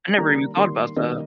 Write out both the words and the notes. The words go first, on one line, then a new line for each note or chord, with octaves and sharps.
I never even thought about that.
D#3 G3 A#3 A#5
D#3 G3 A#3 C6
D#3 G3 A#3 D#5